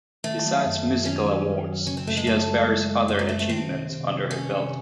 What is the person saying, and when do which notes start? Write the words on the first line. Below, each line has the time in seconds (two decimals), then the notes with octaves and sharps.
Besides musical awards, she has various other achievements under her belt.
0.24 D#3 A3
0.45 F#3
0.65 F#2
0.85 F#2
1.05 D#3 C#4
1.26 F#3
1.47 F#2
1.66 F#3
1.87 C#3 C#4
1.97 C4
2.07 F#2 A3
2.17 G#3
2.27 F#2 A3
2.48 G#3
2.68 G#3
2.88 G#3
3.08 F#2 A3
3.19 F#3
3.29 F#2 A3
3.39 A3
3.48 D#3 C4
3.69 C3
3.90 C3
4.10 C3
4.31 C3 C#4
4.51 C3